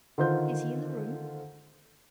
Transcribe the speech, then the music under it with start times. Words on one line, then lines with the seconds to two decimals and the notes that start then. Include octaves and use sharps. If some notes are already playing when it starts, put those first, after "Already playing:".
Is he in the room?
0.18 D3 D#3 F4 C5 G6